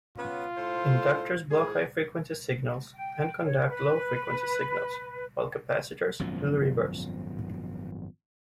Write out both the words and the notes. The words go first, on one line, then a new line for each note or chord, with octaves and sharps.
Inductors block high-frequency signals and conduct low-frequency signals, while capacitors do the reverse.
B3 C#4 F4
A2 A4 C5
A2 F3 G#4
G5
C#5
B4
G#1 F#2 B2 F3